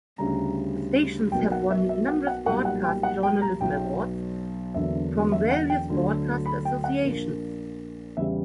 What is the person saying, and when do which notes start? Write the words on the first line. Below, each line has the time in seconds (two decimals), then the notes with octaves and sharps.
The stations have won numerous broadcast journalism awards from various broadcaster associations.
0.18 D2 C#3 G3 A#5
1.32 B1 B2 F#3 A#3 G5
1.52 F#5
1.71 E5
1.89 E5
2.08 F#5
2.27 F#5
2.46 B1 A#2 G3 F#5
2.65 F#5
2.84 G5
3.03 F#5
3.23 G5
3.42 A#5
3.60 B1 B2 F#3 G5
4.74 E1 E2 D3 F#3 A#3 E5
5.32 E5
5.51 F#5
5.70 G5
5.89 D2 D3 F#3
6.46 B5
6.65 G5
6.84 F#5
7.03 A#1 A#2 A#3
8.17 E2 C#3 G3 E5